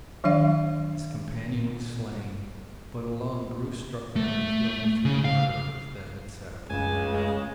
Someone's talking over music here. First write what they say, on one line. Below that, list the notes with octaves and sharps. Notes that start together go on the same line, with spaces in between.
His companion was slain, but alone Bruce struck down and killed the three murderers that had set upon him.
D#3 F#3 D4 D5 F5
A3
C#3
F5
C#2 F#2 C#3 A3 G#5
G#3